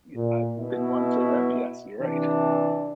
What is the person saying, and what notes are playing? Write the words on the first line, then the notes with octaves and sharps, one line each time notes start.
y I didn't want to say that, but yes, you're right.
A#2
B2 E4
C3 E3 D4